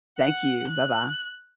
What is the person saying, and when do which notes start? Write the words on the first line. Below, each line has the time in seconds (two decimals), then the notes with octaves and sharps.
Thank you. Bye-bye.
0.19 F#5
0.68 F#6